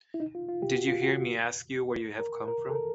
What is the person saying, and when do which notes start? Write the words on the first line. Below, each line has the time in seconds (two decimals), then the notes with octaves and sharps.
Did you hear me ask you where you have come from?
0.14 E4
0.20 D#4
0.35 F4
0.49 F4
0.62 G4
0.76 F#4
0.88 F4
1.02 F#4
2.19 A#4
2.48 A#4
2.69 A4
2.75 A#4